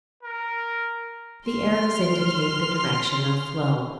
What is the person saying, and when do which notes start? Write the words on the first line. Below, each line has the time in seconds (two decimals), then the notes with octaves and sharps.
The arrows indicate the direction of flow.
0.23 A#4
1.46 C6 F6